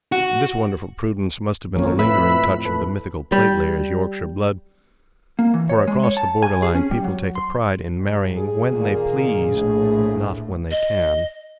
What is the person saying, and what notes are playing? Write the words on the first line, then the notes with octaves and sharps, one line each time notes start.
This wonderful prudence must have been a lingering touch of the mythical plate-layer's Yorkshire blood; for across the Borderline people take a pride in marrying when they please--not when they can.
F#4
G#1 F2 A#3 C#4
F2 A2 B4 E5 B5
A3 B4
G3
A#3
E3
C#5
G#3
C#5
A5
G#5
G#4
C#4
G3
F#3
C6
G2
G#4
A#2 D#3 A#3
A#1 A2 A3
D#5